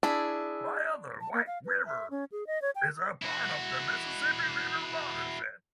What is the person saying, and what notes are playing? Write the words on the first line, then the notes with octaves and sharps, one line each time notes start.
Via the White River, it is part of the Mississippi River watershed.
D4 E4 G#4 E5
A5
A#3
F5
B4
E5
C#4
G#4
D#5
C#5
G5
E4 F#4